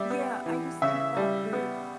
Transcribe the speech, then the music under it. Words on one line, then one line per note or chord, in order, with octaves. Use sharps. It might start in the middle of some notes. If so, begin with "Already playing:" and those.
Yeah, I just think that it
Already playing: G3 D5 E5
B3
E3
C#3 E5
G3
B3